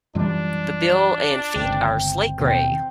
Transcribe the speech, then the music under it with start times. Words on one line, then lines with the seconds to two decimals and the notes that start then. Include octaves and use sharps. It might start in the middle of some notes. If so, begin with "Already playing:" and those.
The bill and feet are slate grey.
0.15 F#2 E3 G3 D4 F4
1.55 G1 C#2 C4
2.39 D#2 B2 D#3 C4 F5 G5